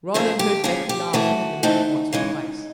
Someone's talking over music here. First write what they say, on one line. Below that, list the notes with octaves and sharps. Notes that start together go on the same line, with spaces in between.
Rawdon heard Becky laughing in the night once or twice.
C#3 F3 A#3 G#4
G4
C#3 F3 A#3 G#4
G4
E3 A3 C4 F#4
E3 A3 C4 D#4
C#3 E3 G#3